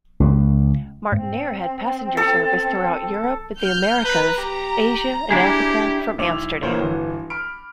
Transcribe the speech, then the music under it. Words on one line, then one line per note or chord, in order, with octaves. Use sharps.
Martinair had passenger service throughout Europe, the Americas, Asia, and Africa from Amsterdam.
C#2
G#2 C4
A4
F6 G6
B4 A#5
G4
D4 E4 G4 G#4
B1 E4 D6 F7
A#1 E3 F#3 A#3 C5 C#5
G1 E3 F#4
B5 F6 D7